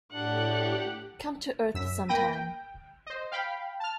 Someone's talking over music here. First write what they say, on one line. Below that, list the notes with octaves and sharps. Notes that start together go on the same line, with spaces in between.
Come to Earth sometime.
A2 D4 G4 F#5
F#2 E6 B6
A#3 G5 B5 A#6 D#7
G5
C5 D#5
F5 G5 B5
A5 F6